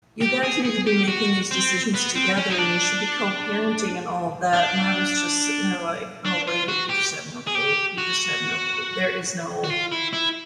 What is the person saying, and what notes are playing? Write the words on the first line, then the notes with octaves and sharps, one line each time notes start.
"You guys need to be making these decisions together, and you should be co-parenting and all that," and I was just sitting there like, "Oh, lady, you just have no clue. You just have no clue. There is no"
G4
G#4
G#4
G4
F#4
C4
B3
C4
C#4
D#4
D4
D4
D4
F4
F#4
G4
G#4
G4
F#4
F#4
F4
E4
E4